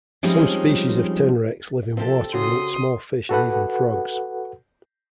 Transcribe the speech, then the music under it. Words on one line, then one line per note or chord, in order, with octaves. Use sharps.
Some species of tenrecs live in water and eat small fish and even frogs.
F3 G3 G#3 C4 C#4 D#4
C3 F3 C4 G4 A4
C#3 F#4 C6 D#6
F#4 A4 B4 F#5